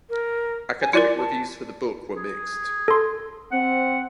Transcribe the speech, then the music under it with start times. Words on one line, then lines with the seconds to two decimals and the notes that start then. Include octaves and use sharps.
Academic reviews for the book were mixed.
0.10 A#4
0.82 G#5
0.93 E4 F4 A#4 D5
1.17 A5
2.16 G#4
2.88 A4 C6
3.52 C4 F#5